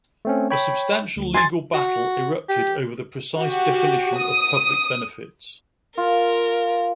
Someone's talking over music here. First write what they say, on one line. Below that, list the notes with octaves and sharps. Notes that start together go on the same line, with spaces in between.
A substantial legal battle erupted over the precise definition of public benefits.
A3 C4 C#4
C#5 G5 B5
D2
G#5 C6 A6
F#4
G4
F#4 G4
D#6
F4 A#4